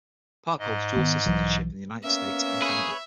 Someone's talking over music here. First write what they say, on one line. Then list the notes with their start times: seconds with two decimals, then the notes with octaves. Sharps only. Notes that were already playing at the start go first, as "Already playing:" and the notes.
Park holds dual citizenship in the United States and Canada.
0.59 G#2 D#5
0.96 D#3 F#3 B3
1.26 B1 E3 F#3
2.03 A#3 B3 C#4 E5
2.62 G#4 B4 C#5